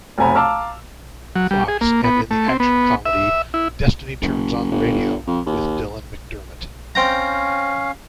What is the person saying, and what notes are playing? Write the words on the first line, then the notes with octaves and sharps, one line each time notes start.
Fox, and in the action-comedy "Destiny Turns on the Radio" with Dylan McDermott.
F1 B1 C4 G#5 A#5 B5
F5 A5 A#5 D6 E6 F6
F#3
G3
G#4
A#3
B3
A3
C4
B3
E5
E4
F#1
G1
F2
D#2
C4 C#4 F5 G5 A#5